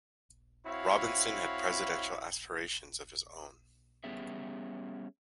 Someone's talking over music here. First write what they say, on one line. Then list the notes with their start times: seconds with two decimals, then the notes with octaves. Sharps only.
Robinson had presidential aspirations of his own.
0.67 C4 E4 F#4 C#5 F5 B5
4.04 G3 B3 C#4 G4 G#4 E5